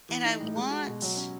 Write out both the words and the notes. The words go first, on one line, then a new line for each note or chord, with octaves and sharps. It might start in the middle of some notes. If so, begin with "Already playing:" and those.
and I want
E3
D#4
A2
G#3
F#4
B2
F#3
C#4